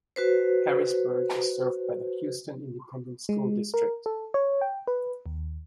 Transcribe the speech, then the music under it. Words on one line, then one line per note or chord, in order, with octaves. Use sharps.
Harrisburg is served by the Houston Independent School District.
F#4 B4 C5
G#3
A#4
A4
C#5
G5
B4
D#2